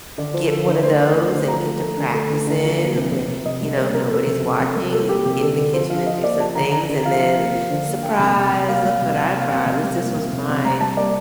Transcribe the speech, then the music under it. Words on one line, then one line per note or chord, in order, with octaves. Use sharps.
get one of those and get to practicing where, you know, nobody's watching. You get in the kitchen and do some things and then, "Surprise, look what I brought. This this was my,
D3 D5
F3 C5
D3 A4
D3 A#4
A3 C5
A3
A3
D3
F3 A#5
A3
A3
D3
A3
D3
D3
F3
A#3
C3
C3
C3
C3 D#5
G3
A#3 C5
C3 A#4
C3 A4
C3
C3
C3
G3 A#4
A#3 A4
A#3 G4
C3 G4
D3 A4
D3 A4
F3 C5
F3 F5
F3 D#5
A#3 D5
F3 A5
D3 A#5
D3 A#5
D3
F3 F5
F3
A#3
F3
D3
A#3
A#3 G5
C3
C3
C3
A#3 F5
G3
C3
C3
A#3 F5
C3
C3
G3
A#3
C3
C3
C3
G3 A#5
G3 A5
A#3 D5